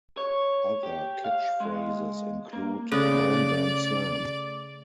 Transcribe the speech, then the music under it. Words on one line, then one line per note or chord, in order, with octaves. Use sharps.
Other catch phrases include Wham Bam Slam!
C#5
G4
F5
G#3
A#3
C#3 A3 A4 D5